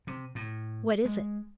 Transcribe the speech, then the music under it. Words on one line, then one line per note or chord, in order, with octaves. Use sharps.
"What is it?"
C3
A2
G#3